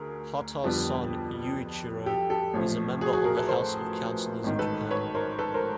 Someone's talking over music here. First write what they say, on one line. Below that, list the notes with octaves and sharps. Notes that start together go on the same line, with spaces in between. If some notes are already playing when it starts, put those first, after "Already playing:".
Hata's son, Yuichiro, is a member of the House of Councillors of Japan.
Already playing: D2 F#4 G#4 A#4
F2 D3 G3 B3
G4 A4
G4 A4
A1 A2 F3 A3
F#4 G#4
F#4 G#4
G#4 A#4
A4 B4
A#4 C5
A1 G#2 D#3
A4 B4
B4 C#5
A#4 C5
A4 B4
A#4 C5